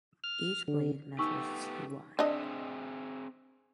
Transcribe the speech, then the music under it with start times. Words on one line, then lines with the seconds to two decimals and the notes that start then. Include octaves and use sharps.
Each blade measures to wide.
0.24 F6
0.68 D3
1.19 A3 B3 D#4 G4 C#6 E6
2.19 C4 D4 G#4 D#5 E5